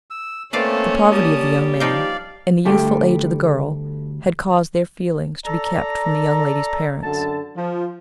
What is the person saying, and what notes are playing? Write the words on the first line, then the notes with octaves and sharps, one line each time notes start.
The poverty of the young man, and the youthful age of the girl, had caused their feelings to be kept from the young lady's parents.
E6
A3 A#3 C4 C#4 B4 D5 F5 A5
G3 A5 D#6
F3 D#4 D5 F5 G5
D2 G3 A3 G4
A4 D5 A#5
F#2 D3 A5
F3